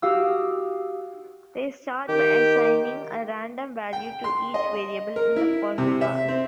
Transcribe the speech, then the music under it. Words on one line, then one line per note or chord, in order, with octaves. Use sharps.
They start by assigning a random value to each variable in the formula.
F#4 G4 F5 D#6 E6
D#3 G4
G5
C6
D#5
A#4
E4
C3
E5
C4